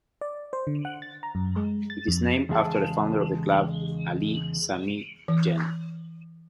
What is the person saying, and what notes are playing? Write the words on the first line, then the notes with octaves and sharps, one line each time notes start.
It is named after the founder of the club, Ali Sami Yen.
D5
C5
D3
F#5
A6
A#5
F#2
G#3
A6
F2
E2 C#3 G#3 G#4 F5 A5
E3